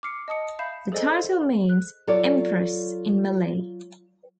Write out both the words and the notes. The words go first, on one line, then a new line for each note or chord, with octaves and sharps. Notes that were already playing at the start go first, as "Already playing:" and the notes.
The title means 'Empress' in Malay.
D6 F6 C7 C#7
D#5 A5 D#6 C#7
E5 F5 B5 G6 C7 E7
G#4 A4 C5 D5 D#5 G#5
F#6
F#3 F4 A4 C#5 D5